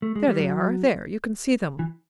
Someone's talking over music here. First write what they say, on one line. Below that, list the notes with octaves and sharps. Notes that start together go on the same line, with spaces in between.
"There they are, there... you can see them."
A3
G#3
G3
F#3
E3